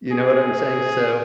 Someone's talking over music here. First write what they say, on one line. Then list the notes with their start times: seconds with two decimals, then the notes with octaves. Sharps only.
You know what I'm saying, so
0.12 G#4